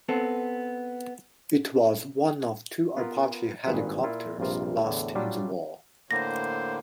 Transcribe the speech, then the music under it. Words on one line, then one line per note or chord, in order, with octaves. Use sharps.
It was one of two Apache helicopters lost in the war.
B3 C4 A4
B3 F4 A#4 B4
G#1 G2 A#2 G#4 B4 F#5
A#2 E4 F4
A#1 G2 C3 F4 A#4
E2 A2 D3
F#3 G3 D4 F4
A2 D3 A#3 C5 A#6